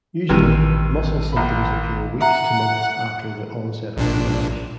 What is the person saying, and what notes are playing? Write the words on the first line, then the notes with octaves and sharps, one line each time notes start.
Usually, muscle symptoms appear weeks to months after the onset of the rash.
A1 G2 C3 D#3 E3 D#7
A#1 B5
E5 F#5 A#5
A#1 A#2 D4